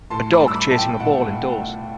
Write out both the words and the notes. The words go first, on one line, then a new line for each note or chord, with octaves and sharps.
A dog chasing a ball indoors.
A2 A5 C6
B5 D6
G3
E6
B5 D6
B1 A5
G5
B1 F#5
B1
B1